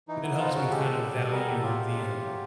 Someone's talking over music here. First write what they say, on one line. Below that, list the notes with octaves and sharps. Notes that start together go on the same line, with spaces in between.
that helps me kind of value the, uh,
E3 D#4
B3 E4
F3 D#4 F4
C#4 F#4 G#4
G#3 G4 A4
A#2
G3
G3
B3 G#4 A#4
E2 G4 A4
F#3 F4 G4
G#3
C#3
E3
F#3